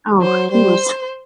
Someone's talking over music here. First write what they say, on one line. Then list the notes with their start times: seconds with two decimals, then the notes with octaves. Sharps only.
Oh, he was
0.21 F#3 C5
0.51 G3 C5